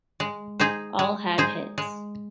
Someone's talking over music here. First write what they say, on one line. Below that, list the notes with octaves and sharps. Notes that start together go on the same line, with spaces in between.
All had hits.
G#3
D#4 G#4 C5
G#3
D#4 G#4 C5
G#3